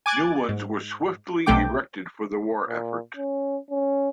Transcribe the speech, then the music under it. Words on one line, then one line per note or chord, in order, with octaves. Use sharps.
New ones were swiftly erected for the war effort.
G#5 D6 F#6 G#6 A6
G#2
B1 C3 A3 G5 D6
A#2
C#4
C#4